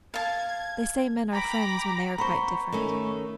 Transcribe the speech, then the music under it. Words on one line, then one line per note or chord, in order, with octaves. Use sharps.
They say men are friends when they are quite different.
F5 A5 G#6
G5 A#5 B5 D6
B3 C5 A#5 B5 C#6
D#3 A3 C#4